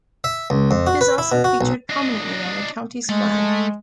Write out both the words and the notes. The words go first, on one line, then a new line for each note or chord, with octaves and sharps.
It is also featured prominently on the county's flag.
E5
C#2
F2
F#4
B4
E4
B2
F#4
B1
D4 D#5
G#3 A3